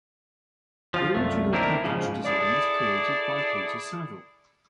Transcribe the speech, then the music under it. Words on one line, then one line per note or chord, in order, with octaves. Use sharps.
The original package design was created by Peter Saville.
F3 F4
C2 F#2 A3
D#3 A#3 C4 D4 E4 A#4
G#2 C#3 F3
E4 G#4 A4 D5